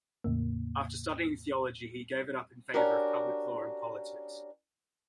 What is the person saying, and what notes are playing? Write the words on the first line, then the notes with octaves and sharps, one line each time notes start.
After studying theology, he gave it up in favour of public law and politics.
E2 A2 C#3 A#3
C#4 D4 F#4 G4 A#4